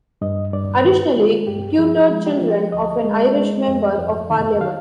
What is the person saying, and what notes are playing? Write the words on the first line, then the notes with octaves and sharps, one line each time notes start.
Additionally tutored children of an Irish member of parliament.
G2 D#5
G2 D5
D#3 B4
G#3 F4
G2 G4
F3 G#4
G#3
G4
F3 F4
G4
D2 D#5
G#3
G#3
F2
F2
D#3
D#3 F5